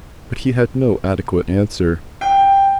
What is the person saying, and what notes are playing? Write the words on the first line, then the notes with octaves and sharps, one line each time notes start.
But he had no adequate answer.
G5